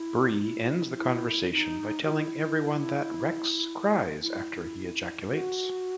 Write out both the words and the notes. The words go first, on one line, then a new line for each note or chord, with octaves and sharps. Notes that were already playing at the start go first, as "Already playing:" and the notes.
Bree ends the conversation by telling everyone that, "Rex cries after he ejaculates".
Already playing: E4
D#4
E4
E4
E4
D#4
F#4
E4
E4
F#4